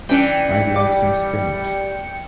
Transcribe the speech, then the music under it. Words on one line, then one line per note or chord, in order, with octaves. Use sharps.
I’d like some spinach.
E3 G3 C#4 D4 G5 C#7
G3 D6